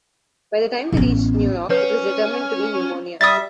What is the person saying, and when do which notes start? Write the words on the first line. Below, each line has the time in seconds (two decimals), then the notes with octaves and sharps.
By the time they reached New York, it was determined to be pneumonia.
0.92 A1 B3
1.70 C#4 B4 C#5 F#5
3.21 G3 E5 D#6 A6